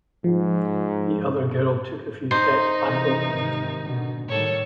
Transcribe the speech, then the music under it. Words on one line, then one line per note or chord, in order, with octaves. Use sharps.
The other girl took a few steps backward.
G#2 F3
D#4 C5
C3 E3
G#2 C3 D#3
B2 D3
A2 D#3 G3 A4 C#5